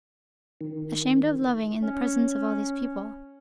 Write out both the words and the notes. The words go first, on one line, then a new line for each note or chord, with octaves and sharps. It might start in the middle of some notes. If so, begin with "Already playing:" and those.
Ashamed of loving in the presence of all these people.
D#3
C#4